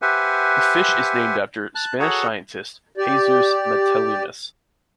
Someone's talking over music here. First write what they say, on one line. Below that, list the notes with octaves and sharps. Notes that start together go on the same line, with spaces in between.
The fish is named after Spanish scientist Jesus Matallanas.
G4 B4 C5 E5 F#5 G#5
A5 F#6
F#4 G#4 A4 C#5 F#5 A#5
G4 D5